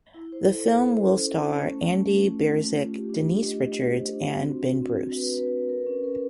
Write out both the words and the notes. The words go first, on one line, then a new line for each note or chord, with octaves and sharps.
The film will star Andy Biersack, Denise Richards, and Ben Bruce.
E4
C5
A4
A4
C5
C#4
C5
A4
C#4
A3
A3
A3
F4
A3
F4
A3
G4
D4
G4
D#5
D#5
C5
D#5
D4
C4
F#4
C4
C4
F#4
B4
B4
B4
A#4
C#4
A#4